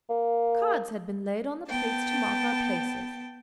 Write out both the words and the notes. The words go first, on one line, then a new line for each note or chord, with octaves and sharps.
Cards had been laid on the plates to mark our places.
A#3
B3 G5 A5